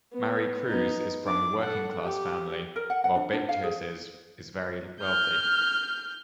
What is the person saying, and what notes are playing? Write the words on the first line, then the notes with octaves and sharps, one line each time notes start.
Maricruz is from a working-class family, while Beatriz's is very wealthy.
B3
B3 D#4
D4 D6
A4 F#5
G4
A#4
F#5
F#5
D4
D4
F5
G#4
F6 G6